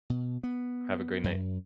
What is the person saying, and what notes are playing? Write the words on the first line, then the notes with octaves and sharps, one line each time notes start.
Have a great night.
B2
B3
F#2